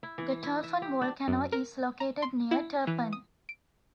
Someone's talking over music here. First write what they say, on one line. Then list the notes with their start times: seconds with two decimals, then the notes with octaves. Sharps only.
The Turfan volcano is located near Turpan.
0.03 E4
0.18 E3
0.43 E4
0.63 E5
0.82 G4
1.01 D4
1.28 F#2
1.52 A#4
2.00 A#5
2.22 C6
2.51 E4
2.87 E3
3.13 D#6
3.49 D7